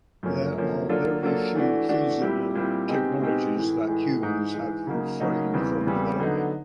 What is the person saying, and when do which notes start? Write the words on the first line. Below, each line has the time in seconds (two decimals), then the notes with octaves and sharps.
There are very few feasible technologies that humans have refrained from developing.
0.23 F#2 D3 F3 A#3 C#4
0.56 F#2 D3 F3 A#3 C#4
0.89 F#3 A#3 D4 F4 A4
1.22 F#3 A#3 D4 F4 A4
1.55 E3 A3 D4 F#4
1.89 E3 A3 D4 F#4
2.22 A#2 G3 C4 E4 G4
2.55 A#2 G3 C4 E4 G4
2.88 B2 G#3 C4 D#4 G4
3.21 B2 G#3 C4 D#4 G4
3.55 A2 E3 G#3
3.88 A2 E3 G#3
4.21 G#2 E3 G#3
4.54 G#2 E3 G#3
4.87 C#3 F#3 A#3 D#4
5.20 C#3 F#3 A#3 D#4
5.53 E2 C#3 E3 G3 C4
5.87 E2 C#3 E3 G3 C4
6.20 D3 F#3 B3 D#4